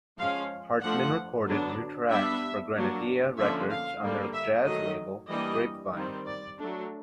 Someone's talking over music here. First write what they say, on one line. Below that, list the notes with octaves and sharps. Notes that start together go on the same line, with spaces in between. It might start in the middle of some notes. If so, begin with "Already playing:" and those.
Hartman recorded new tracks for Grenadilla Records on their jazz label, Grapevine.
F3 G#3 C#4 F5
F3 A3 D4 F#5
D3 F#3 B3 D4
G3 B3 D4 E5
F#3 A#3 D4
D3 F3 A#3 C#4 E5
F5
D3 G3 A#3
E5
D#3 F#3 A3 D#5
E3 G3 A#3 D4 D#5
D#3 G3 C4
D5
F#3 A3 D4